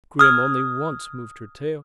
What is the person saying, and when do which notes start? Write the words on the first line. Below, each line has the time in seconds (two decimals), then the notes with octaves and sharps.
Grim only once moved her tail.
0.19 D#6 F6 G#6